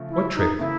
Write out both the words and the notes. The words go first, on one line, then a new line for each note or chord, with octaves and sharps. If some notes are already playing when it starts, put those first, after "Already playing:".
"What trick?"
Already playing: C#3 F3 A3
E4
D#4
C#3 E3 A3 E4